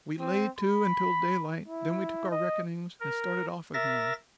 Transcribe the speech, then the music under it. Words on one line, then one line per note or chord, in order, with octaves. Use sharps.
We lay to until daylight; then we took our reckonings and started off again.
C4
B5
E4
D#5
A#4
A#4 E5 A6 A#6